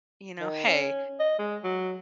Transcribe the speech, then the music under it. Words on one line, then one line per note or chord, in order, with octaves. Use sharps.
you know, "Hey,
D#3
C#4
D#5
G#3
F#3